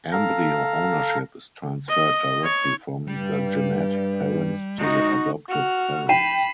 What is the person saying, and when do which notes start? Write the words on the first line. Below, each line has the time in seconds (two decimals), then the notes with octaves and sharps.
Embryo ownership is transferred directly from the genetic parents to the adoptive parents.
0.12 A4 F5 A#5
1.89 D#5
2.44 C#5
3.08 G2 G3
4.79 G#3 D#4 E4 F#4
5.49 F#4 F6
6.09 G5 B5 C7 D#7 E7